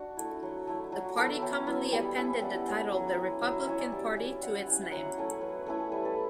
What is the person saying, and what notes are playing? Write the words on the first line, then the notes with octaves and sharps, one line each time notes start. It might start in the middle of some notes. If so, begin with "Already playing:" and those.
The party commonly appended the title "The Republican Party" to its name.
Already playing: D4 F#4
A3 E4
F#3
A3 E4
F#3 F#4
B3 E4 A4
F#3 G5
B3 E4
G3 G5
C#4 E4
G3 F#5
C#4 E4
F#3
C#4 E4
F#3 E5
C#4 E4 C#5
D5
G3
C#4 E4
G3 F#5
C#4 E4 F#5
E5
F#3 F#5
A3 C#4 E4
F#3 B4
A3 C#4 E4
G3 B4
A4